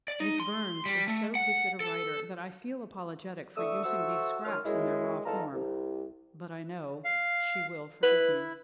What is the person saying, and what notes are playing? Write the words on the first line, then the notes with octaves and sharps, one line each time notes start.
Miss Burns is so gifted a writer that I feel apologetic for using these scraps in their raw form, but I know she will forgive me.
D5
D#4
C6
G3
A3
F#5
A4
D3 E3 A3 C#6 D#6 E6
F#4 A4 C5 E5 C#6 E6
F#2 D#3 C#5 D#5 C6 F6
F#2 G#3 E4
E2 D#4 F4 A4 A5 A#5
C2
F5
E4 B4